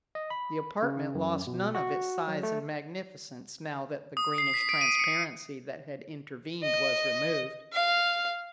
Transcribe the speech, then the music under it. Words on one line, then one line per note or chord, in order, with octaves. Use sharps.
The apartment lost none of its size and magnificence now that the greenish transparency that had intervened was removed.
D#5
B5
C#3
F#2
B2
F#4
F#3
A3
D#6
C7
B6
D7
D#7
C#7
D#5
F5